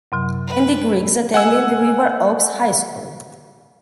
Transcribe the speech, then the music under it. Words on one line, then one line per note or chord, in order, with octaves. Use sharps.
Andy Griggs attended River Oaks High School.
F#2 C3 F#3
B4
F#5 G#5 E6